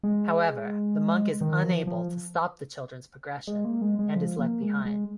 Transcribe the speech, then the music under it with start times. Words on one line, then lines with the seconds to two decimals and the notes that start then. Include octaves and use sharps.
However, the monk is unable to stop the children's progression and is left behind.
0.03 G#3
1.41 D#3
1.64 F3
1.87 F3
3.47 G#3
3.65 A#3
3.82 G#3
3.99 G#3
4.16 F3
4.39 A#3
4.62 G#3
4.85 G#3